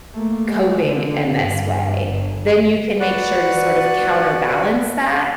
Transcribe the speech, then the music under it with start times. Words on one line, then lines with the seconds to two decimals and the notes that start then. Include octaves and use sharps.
coping in this way," then you can make sure to sort of counterbalance that
0.13 A3 A#3
0.47 G#3
0.84 D3
1.36 G2
2.09 G1
3.00 F#4 B4 D5 F#5 F#6